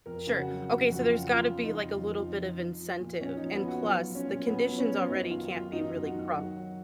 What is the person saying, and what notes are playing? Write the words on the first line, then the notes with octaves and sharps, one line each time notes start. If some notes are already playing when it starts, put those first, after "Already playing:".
Sure. Okay, so there's gotta be like a little bit of incentive, and plus, the conditions already can't be really crummy.
F2 A#4
C#3
F#4
F#3
F2 F#4
F2 F#4
F4
C#3
F3 F4
F3
D#4
F2
F2
F3
F3
F3
F3
A#2
A#2 C#4
D#4
F3
B3
F3 F#4
F#3 F4
F#3
C#4
A#2
A#2 B3
F#3
C#4
F#3
F#2 D#4
D#3 F4
F#3 F4
F#2 D#4
F#2
F#4
D#3
F#3 F#4
F#3